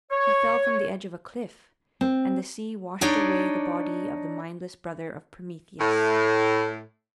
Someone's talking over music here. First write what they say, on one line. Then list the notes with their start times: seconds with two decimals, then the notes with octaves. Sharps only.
He fell from the edge of a cliff, and the sea washed away the body of the mindless brother of Prometheus.
0.11 C#5
2.01 C4
3.01 D4 D#4 C#5 D5
5.79 A2